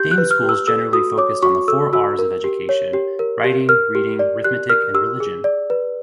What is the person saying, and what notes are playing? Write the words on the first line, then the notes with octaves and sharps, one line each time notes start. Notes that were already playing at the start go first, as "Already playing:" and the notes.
Dame schools generally focused on the four R's of education-"Riting, Reading, Rithmetic, and Religion".
Already playing: G4 G6
F#6
B4
F6
G4
E6
A4 E6
F#4 D#6
C#5 D6
F#4 C#6
A4 E6
F#4 E6
A#4
G4
C#5
G4
A#4
G4
A#4 F6
G4
D5
G4 F#6
A#4 F6
G4 E6
G#4
D5
B4